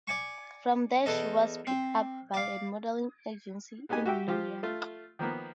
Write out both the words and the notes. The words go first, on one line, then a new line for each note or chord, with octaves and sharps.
From there she was picked up by a modeling agency in New York.
D5 G#5 C#6
E2 A4 D#5
C4
D5 F5
G#3 B3 D#4 G4 G#5
F#4 G4 E5 G5
F3 F4 G4
A3 F4
D#3 F3 A#3 B3